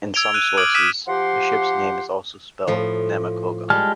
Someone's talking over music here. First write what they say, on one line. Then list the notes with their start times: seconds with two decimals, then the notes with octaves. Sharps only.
In some sources, the ship's name is also spelled Namakogon.
0.14 E6 G#6 D7 F7 G7
0.34 F#6 D#7
0.57 D6 D#6 F6 G#6 D7 F#7
0.74 D#6 F6 F#6 B6 D#7 E7
1.08 F3 G4 F#5 C6
2.67 A2 F3
3.70 G3 G#3 A5 F6